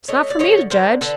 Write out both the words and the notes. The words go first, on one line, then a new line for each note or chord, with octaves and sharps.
It's not for me to judge.
A3 C#5 D#5
D5
D3 C#5 D#5
D3 A#4 C5
D3 A4 B4